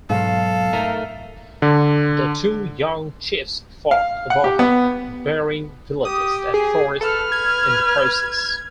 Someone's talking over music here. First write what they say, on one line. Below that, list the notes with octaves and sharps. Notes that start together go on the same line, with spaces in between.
The two young chiefs fought over her, burying villages and forests in the process.
B1 G#2 A4 F5
A3 D#4 A#4
D3
F5
F#5
G4
B3
G4 D#6
G#4
A4 B4 F6
G#6